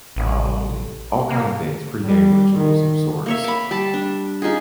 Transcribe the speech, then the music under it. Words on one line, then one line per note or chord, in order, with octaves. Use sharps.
um, all kinda things, pregame rituals of sorts.
A1
A#3
G3
D#3
A#3 C#5 E5
B5 D6
G3 A5 B5
D4
C#4 D#4 F4 G#4